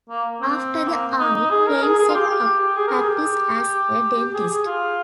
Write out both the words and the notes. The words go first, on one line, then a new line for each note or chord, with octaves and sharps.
After the Army, Crane set up practice as a dentist.
A#3
C4
A#3
D#4
D#4
G#4
A#4
G#4
G#4
F4
G4
G4
G#4
A#4
G#4
G4
G4
G#4
G#4
F4